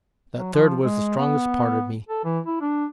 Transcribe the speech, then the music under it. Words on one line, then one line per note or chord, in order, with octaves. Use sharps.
That third was the strongest part of me.
F#3
F3
G#3
B3
A4
E3
E4
D4